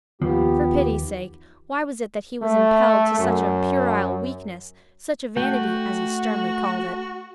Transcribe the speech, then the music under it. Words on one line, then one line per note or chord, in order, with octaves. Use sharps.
For pity's sake, why was it that he was impelled to such a puerile weakness--such a vanity, as he sternly called it.
D#2 F3 B3 F4 G4
A3
F#2
A3 F#4 F#5 G5